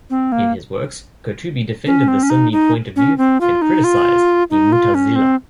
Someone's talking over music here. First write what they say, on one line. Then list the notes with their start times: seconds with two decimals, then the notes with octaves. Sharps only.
In his works, Qurtubi defended the Sunni point of view and criticized the Mu'tazilah.
0.10 C4
0.32 A#3
1.86 C#4
2.08 C4
2.23 C#4
2.30 D#4
2.52 D#4
2.96 C#4
3.18 C4
3.41 F4
3.62 D#4
3.84 F4
4.51 D#4
4.72 F4
4.95 C#4
5.16 C4